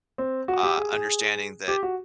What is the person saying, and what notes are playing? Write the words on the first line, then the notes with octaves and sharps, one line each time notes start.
uh, understanding that,
C4
F#4
G4
G#4
G#4
G4
F#4